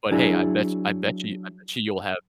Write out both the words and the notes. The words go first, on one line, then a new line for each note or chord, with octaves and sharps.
But hey, I bet I bet you I bet you you'll have
F#3 D4 E4 G#4